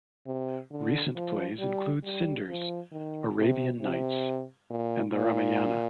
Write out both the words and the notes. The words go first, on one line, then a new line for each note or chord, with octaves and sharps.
Recent plays include "Cinders", "Arabian Nights", and "The Ramayana".
C3
D3
F3
G3
G3
F3
D#3
C3
C3
A#2
A#2